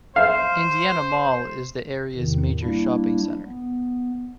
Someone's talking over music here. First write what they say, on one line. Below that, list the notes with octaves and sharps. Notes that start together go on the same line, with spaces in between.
Indiana Mall is the area's major shopping center.
C5 E5 F5
E2 A2 C3 D#3
G3 A#3 D4 E4
B3